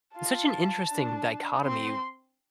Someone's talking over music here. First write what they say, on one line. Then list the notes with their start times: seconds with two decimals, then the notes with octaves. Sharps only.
such an interesting dichotomy,
0.17 F4 A5
0.91 D4
1.64 C4 C6